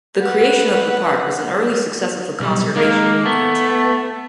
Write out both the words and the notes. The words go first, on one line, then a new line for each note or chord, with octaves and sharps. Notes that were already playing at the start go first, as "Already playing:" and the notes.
The creation of the park was an early success of the conservation movement.
B4 F#5
B1 G3
D#3 G#3 A#3
A3 B3